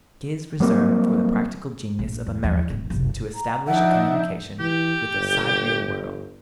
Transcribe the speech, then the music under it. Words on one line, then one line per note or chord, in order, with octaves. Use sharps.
It is reserved for the practical genius of Americans to establish a communication with the sidereal world.
F#3 G3 A#3 C4
A#1
E2
E2 F3
D1
F#1 C2
A#5
F3 D4 D#4 E5 F#5
E3 G4
G1